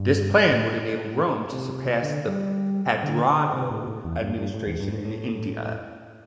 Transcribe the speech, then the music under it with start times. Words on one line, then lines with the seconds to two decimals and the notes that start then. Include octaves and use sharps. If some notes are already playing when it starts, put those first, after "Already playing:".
This plan would enable Rome to surpass the "Padroado" administration in India.
Already playing: G2
0.51 A2
1.52 C3
2.02 D3
2.28 G3
3.03 D3
3.29 D3
3.54 C3
3.71 A2
3.87 A2
4.04 E2
4.20 G2
4.38 G2
4.54 A2
4.67 E2
4.80 G2
4.92 A2
5.05 A2